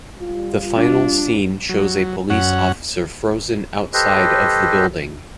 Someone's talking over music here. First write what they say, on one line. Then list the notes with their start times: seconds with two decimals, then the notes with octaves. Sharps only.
The final scene shows a police officer frozen outside of the building.
0.19 G3 F4
0.74 D4
1.69 F#3
2.30 F#2 C#4 F#5
3.94 G4 A4 B4 C5 D#5